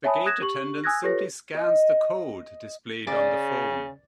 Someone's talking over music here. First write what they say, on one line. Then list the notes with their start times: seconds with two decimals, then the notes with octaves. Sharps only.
The gate attendant simply scans the code displayed on the phone.
0.04 C#5 E5 G#5 A5 B5 D#6
0.26 D#6 F#6 G#6 A#6 E7
0.42 G4 C#6 F#7
0.84 G#5 D#6 E6 F#6 G#6 A#6
1.03 F4 G4 A4 B4 C#5 A#6
1.55 D#5
3.07 C#3 D5